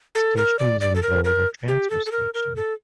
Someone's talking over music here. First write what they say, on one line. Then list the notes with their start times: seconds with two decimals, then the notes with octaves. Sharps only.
Stations in bold are transfer stations.
0.15 A4
0.37 A#4
0.59 D5
0.81 D5
0.96 A4
1.03 A#4
1.24 A#4
1.68 G4
1.90 A4
2.06 A4
2.12 A#4
2.34 A#4
2.56 A4